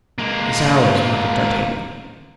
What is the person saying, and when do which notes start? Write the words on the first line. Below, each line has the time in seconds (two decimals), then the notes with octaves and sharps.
"He's ours," muttered D'Artagnan.
0.18 G#3 A#3